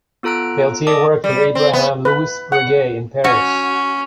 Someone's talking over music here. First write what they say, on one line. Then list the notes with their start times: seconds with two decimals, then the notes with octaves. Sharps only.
Peltier worked with Abraham Louis Breguet in Paris.
0.23 B3 F4 A4 A#5 F#6 D7
0.87 A4 D5 D#5 A5 D6 D#6
1.24 G3
1.55 C4
1.73 B3
2.05 B4
2.52 F#5
3.24 C#4 F#4